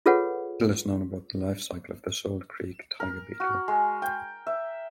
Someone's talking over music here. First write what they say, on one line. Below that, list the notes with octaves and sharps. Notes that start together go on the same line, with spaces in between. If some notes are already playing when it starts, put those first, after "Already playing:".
Little is known about the life cycle of the Salt Creek tiger beetle.
F4 G#4 A4 B4 C#5 F#5
A#4
F#4
G#3
G5
E5